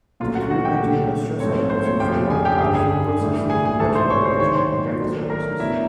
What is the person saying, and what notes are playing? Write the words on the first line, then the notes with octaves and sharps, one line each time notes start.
The three major industrial sectors in Fremont are food processing, metal fabrication, and teleservices.
A#2 F#3 A3 C#4 F4 F5
F#4 F#5
F#4 F#5
G4 G5
A#2 F#3 A3
G#2 F3 A3 C4 C#5
C5
C#5
F2 C#3 F3 A3 C#4 G4 G5
G#4 G#5
G4 G5
G2 D3 G3 G#4 G#5
G#4 G#5
A2 E3 G3
G#4 G#5
G#4 G#5
G#2 E3 A3 D4 A4 A5
C5 C6
C#5 C#6
C5 C6
G#2 D#3 F#3 C#5 C#6
C5 C6
D#3 F#3 A3 D4
A#4 A#5
A2 F#3 B3 D4 E4 E5